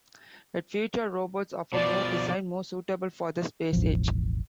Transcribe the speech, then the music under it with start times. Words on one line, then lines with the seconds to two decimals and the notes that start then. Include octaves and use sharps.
It featured robots of a more design more suitable for the Space Age.
1.73 B2 F3 D5
3.73 E1 A1 F3